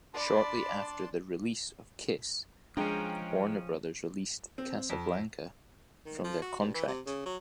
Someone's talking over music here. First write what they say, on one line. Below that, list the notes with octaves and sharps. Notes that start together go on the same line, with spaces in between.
Shortly after the release of "Kiss", Warner Brothers released Casablanca from their contract.
D4 D5 A5 B5 C6
F3 G#3 C#4 D4 G5 A#5
C4
F2
D#3
F3
F#4
G2
E3
C3
C#3
F#3